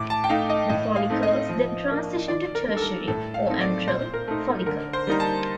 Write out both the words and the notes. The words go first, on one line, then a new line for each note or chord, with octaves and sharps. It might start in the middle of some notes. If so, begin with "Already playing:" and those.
The follicles then transition to tertiary, or antral, follicles.
Already playing: A2 D6
A5
G5
A3 D#4 F5
D#5
A2 D#5
F5
A3 C4 D#4
D#5
F3
A#3 D4
D#3 D5
A#4
G3 A#3 D4
A4
A#4
A2 A4
F5
A3 C4 D#4
D5
A#2 C5
A#4
A3 D#4
D3 A#4
C5
G3 A#3 D#4 A#5
A5